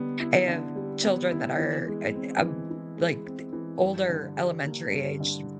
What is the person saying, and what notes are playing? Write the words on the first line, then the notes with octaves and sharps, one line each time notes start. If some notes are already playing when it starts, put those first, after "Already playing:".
I have children that are it um, like, the older elementary age,
Already playing: D3 G3 B3
E4
D3
G3
B3
E4
E3
G#3
C4
E3
E3
G#3
C4
E3
G2
D3
G3
A#3
G2
D3